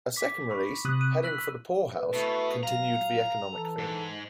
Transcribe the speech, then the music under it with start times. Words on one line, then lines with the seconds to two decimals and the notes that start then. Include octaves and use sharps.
A second release, "Heading for the Poorhouse", continued the economic theme.
0.16 D6 B6
0.51 B5 C#6
0.85 C3 D#6 F#6
1.01 D#7
1.24 E6 F#6 B6 F#7
1.93 B4
2.13 B2 A3 E4 A4
2.63 F#3 F5 A#5
3.53 E3 A4
3.78 G#2